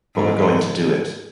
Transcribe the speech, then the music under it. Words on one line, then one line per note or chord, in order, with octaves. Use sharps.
But we're going to do it.
G#2